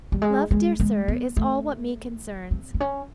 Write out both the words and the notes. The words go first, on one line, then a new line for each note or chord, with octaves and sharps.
Love, dear sir, is all what me concerns.
G3
G#3
G#3
G#3
B3
A3
C4
C4
C#4